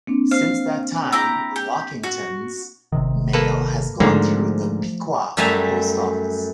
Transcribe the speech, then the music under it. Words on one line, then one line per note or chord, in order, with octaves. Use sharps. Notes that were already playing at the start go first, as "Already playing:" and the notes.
Since that time, Lockington's mail has gone through the Piqua post office.
A#3 C4 D4
C5 F5
E4 G4 A#5
G4
F#4
G1 C3 D#3
A#3 A4 B4
G#2 D3 F3 A3 A#3
F#2 G3 A3 E5 G#5 A#5